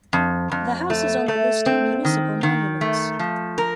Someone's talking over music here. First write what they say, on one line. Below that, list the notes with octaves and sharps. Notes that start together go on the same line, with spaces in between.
The house is on the list of municipal monuments.
F2
F2
A3
A3
C4
D#3
D#3
A3
F3
A#4